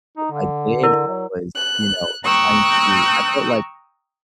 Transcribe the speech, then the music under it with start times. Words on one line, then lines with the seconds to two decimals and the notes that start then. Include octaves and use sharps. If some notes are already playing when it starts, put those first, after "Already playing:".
if I did, I was, you know, trying to I felt like,
0.18 D#4
0.32 D3
0.83 E4 A#4 D5
1.07 F#3
1.55 F#6
2.23 G5 A#5 C#6 D#6 E6 F#6